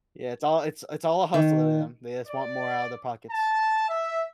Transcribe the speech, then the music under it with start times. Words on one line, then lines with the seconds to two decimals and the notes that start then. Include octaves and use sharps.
Yeah, it's all it's it's all a hustle to them. They just want more out of the pockets,
1.34 D#3
2.27 D5
3.30 A5
3.88 E5